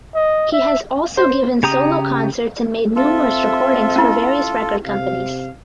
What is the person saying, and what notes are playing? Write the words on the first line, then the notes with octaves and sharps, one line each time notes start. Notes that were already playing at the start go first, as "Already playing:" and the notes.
He has also given solo concerts and made numerous recordings for various record companies.
D#5
E5
C5
C#3 G4 A#5 D#6
C4 F4 A4 E5
C#4 E4
C3 F5